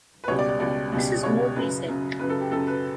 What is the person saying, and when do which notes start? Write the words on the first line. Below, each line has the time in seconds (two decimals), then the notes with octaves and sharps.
This is more recent.
0.24 B4
0.28 C#2 B2 G3 C#5
0.39 D5
0.49 D5
0.60 C#2 B2 G3 D5
0.92 C#2 B2 G3
1.23 C#2 B2 G3 C#5
1.56 F#2 C#3 F#3 B4
1.88 F#2 C#3 F#3
2.19 F#2 C#3 F#3 B4
2.29 A4
2.41 G4
2.51 F#2 C#3 F#3 A4
2.67 B4